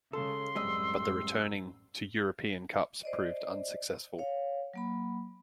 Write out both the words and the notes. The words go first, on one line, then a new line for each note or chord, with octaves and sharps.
But the returning to European cups proved unsuccessful.
C#3 G#3 A4 C6
A1 F#2 G3 G#3 C4 D#5 E6
C5 D5 D#5
C#5 F5
F#3 A#3 B5